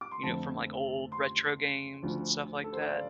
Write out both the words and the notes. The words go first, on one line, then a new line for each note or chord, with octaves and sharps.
you know, from, like, old retro games and stuff like that.
D6
C6
F2 D3 F3 A3 C4 A5
C6
D2 D3 F3 D4
A4
C5
D5
F5